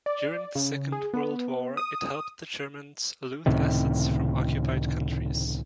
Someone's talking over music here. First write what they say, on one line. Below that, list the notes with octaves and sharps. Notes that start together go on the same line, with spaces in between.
During the Second World War, it helped the Germans loot assets from occupied countries.
D5
C#3
G#4
B3
D#6
C#2 A2 C3 D#3